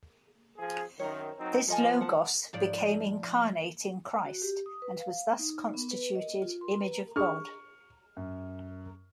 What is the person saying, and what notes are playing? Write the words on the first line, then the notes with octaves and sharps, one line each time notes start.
This Logos became incarnate in Christ and was thus constituted Image of God.
F3 G#4
F#2 D#3 A#4 C#5
F#3 C4 D#4
F3 A4 D#5 G#5
F#5 A5
G#2 F3 D5
F#4
G4
D#6
B4
F5
D#4
B3
B4
D#5
F4
C6
B4
D4 G4 G#4 C#6 F6
F#2